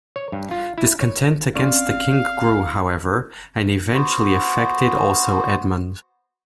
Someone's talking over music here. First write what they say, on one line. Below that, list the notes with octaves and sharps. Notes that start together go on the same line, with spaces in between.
Discontent against the king grew, however, and eventually affected also Edmund.
C#5
G2
F4
E4
C#5
C4 C#4 D5 F5
B3 F#4 C5